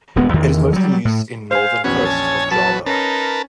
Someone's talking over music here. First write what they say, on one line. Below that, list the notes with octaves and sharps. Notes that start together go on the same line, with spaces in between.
It is mostly used in northern coast of Java.
D#1 G2 G#3 B3
E2 D#3 E3
F#3 G3
A2
C5 F5 G#5
A#1 E2 B3 C#4 F#4 C#5
G#5 A5
F#3 B4 A5
C#4 D#4 A#4 B4 A5